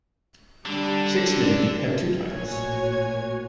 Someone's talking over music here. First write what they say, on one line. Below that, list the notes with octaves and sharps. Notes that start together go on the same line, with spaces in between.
Six men have two titles.
D3 G3 D4
A1 A#2 F#4 C#5 G#5 G#6